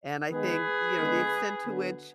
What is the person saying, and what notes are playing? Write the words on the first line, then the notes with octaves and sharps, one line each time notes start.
and I think, you know, the extent to which
D#3 G#3 B3 G#4 B4
D3 G#3 B3
D3 F#3 B3